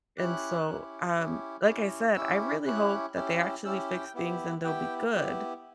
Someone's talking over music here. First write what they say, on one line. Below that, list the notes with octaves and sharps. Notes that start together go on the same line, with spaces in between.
And so, um, like I said, I really hope that they actually fix things and they'll be good,
C#4 E4 G4 F#6
C#4 E4 G4
C#4 E4 G4
C#4 E4 G4
C#4 E4 G4 E6
C#4 E4 G4 F#6
C#4 E4 G4
C#4 E4 G4 E6
G5
B3 E4 G4
B3 E4 G4 G5
B3 E4 G4